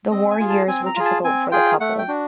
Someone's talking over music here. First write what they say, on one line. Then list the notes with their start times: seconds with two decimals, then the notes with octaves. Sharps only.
The war years were difficult for the couple.
0.11 C4 D#5
0.31 G#5
0.40 F4 G#4
0.50 A5
0.68 C4 G#5
0.86 A#5
0.96 F4 G#4
1.05 A5
1.24 C4 G#5
1.52 F4 G#4 G5
1.80 A3 F#5
1.99 G5
2.08 D4 F#4